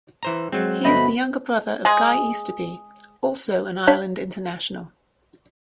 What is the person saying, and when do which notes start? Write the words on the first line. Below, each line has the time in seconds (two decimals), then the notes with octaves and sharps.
He is the younger brother of Guy Easterby, also an Ireland international.
0.23 E3 C5 A#5
0.52 F#3 G#3 C4
0.84 G1 B2 A3 B3 C5 D#5 E5 B5
1.85 G#3 G#4
3.87 D4 C#5 F5 B6